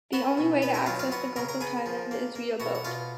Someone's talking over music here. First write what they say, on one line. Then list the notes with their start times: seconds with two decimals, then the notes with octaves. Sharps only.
The only way to access the Gulf of Thailand is via boat.
0.13 B3 F#4 F#5
0.37 B2
0.62 B3 B4 B5
0.74 A#4 A#5
0.86 F#3 F4 F5
0.99 F4 F5
1.12 B3 F#4 F#5
1.36 C#3 A#4 A#5
1.48 A#4 A#5
1.61 B3 G#4 G#5
1.86 F3
2.11 A#3
2.35 A#3
2.60 B2 F#4 F#5
2.75 F#5
2.85 B2 F4 F5